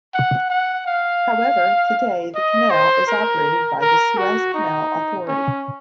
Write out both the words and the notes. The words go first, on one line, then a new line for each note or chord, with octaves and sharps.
However, today the canal is operated by the Suez Canal Authority.
F#5
F#5
F5
D#5
C5
A#4
A#4
F#4
D#4
C#4